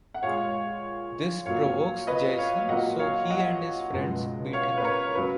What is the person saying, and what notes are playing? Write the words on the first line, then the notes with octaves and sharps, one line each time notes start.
This provokes Jaison so he and his friends beat him up.
F#5
A#2 G#3 C#5 F5
A#2 F#3 A#3 C#5 F5
B4 D#5
C#5 F5
A#2 F#3 A#3 D#5 F#5
C#5 F5
D#5 F#5
C#2 B2 G#3
C#5 F5
B4
A#4 C#5
C#3 F#3 B4